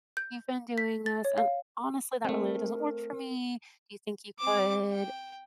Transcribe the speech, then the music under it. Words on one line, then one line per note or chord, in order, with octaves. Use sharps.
you've been doing this, and honestly, that really doesn't work for me. Do you think you could"
G6
B6
A6
C#5
F5
A3 C4 A#4
C4 D6
G5